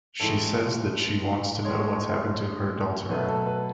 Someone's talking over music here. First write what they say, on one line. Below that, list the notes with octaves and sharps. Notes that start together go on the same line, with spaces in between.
She says that she wants to know what happened to her daughter.
A2 E3 G#3 A4
A2 G#3 C#5
B2 F#3 A3 B4
A4
B4